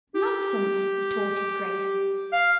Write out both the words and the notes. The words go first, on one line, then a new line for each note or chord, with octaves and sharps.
"Nonsense," retorted Grace.
G4
F5